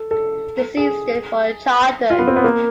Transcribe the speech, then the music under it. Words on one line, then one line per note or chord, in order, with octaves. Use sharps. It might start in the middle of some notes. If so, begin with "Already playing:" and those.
The C stood for Chardon.
Already playing: A4
A4
G#4
F4
B3
C4
B3
A#3